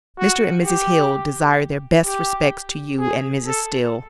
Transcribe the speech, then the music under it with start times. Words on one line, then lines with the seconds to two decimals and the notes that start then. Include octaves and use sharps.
Mr. and Mrs. Hill desire their best respects to you and Mrs. Still.
0.19 F#4
0.65 G4
2.06 G4
3.00 G#4
3.47 A4